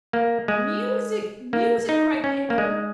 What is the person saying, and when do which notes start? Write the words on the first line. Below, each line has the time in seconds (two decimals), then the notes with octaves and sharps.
"Music! music!" cried the Emperor.
0.13 A#3
0.48 G#3
1.53 A#3
1.89 D#4
2.24 C#4
2.50 A#3
2.58 G#3